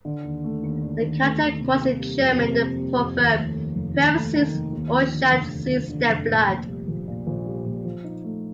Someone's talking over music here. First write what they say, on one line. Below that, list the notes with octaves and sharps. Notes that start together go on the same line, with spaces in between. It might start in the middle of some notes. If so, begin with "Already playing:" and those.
A character quotes in German the proverb 'Whoever sees Ushant sees their blood.
D3
D#2
A3
D#2
D3
D#2
A3
D#2
C3
A#3
G3
F2
C3
A#3
G3
F2
D#2
A3
D#3
F1
D#2
A3
D#3
F1
D#2
F3
D3
F1
D#2
F3
D3
F1
A#2
A#1
G3
A#1
A#2
A#1
G3
A#1
F3
D#4
A3